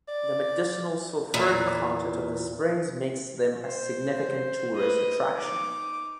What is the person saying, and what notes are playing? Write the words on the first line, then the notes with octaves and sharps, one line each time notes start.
The medicinal sulfuric content of the springs makes them a significant tourist attraction.
D5
E2 A#2
C5
B4 D#5
D#4 D6